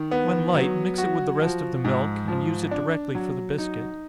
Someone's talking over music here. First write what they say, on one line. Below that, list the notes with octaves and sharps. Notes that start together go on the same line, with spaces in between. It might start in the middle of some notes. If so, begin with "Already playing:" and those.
When light, mix it with the rest of the milk, and use it directly for the biscuit.
Already playing: D#3
B3
F#3
F#4
F3
G#2
F3
D4
F#3
D#4